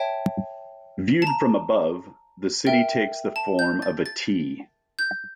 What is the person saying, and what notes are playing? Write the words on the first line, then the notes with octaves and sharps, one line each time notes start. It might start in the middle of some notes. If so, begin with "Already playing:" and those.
Viewed from above, the city takes the form of a "T".
Already playing: C#5 E5 G5 A5
A5
A#5
A#4 E5 G5
A5
G6
A6
A6
G6